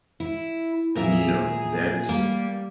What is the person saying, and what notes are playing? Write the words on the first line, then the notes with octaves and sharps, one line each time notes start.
and, you know, that
E4
A#2 G#4 A#4 E5
G3 A#3